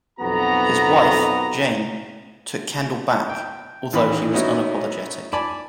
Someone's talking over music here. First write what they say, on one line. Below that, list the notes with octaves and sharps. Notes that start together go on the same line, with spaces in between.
His wife, Jane, took Kendall back, although he was unapologetic.
B1 F2 B3 F#4 A#5
G5
A1 D#3 E3 B5
B3 C#4 D#4 E4 F#4
D5 G#5 A5 B5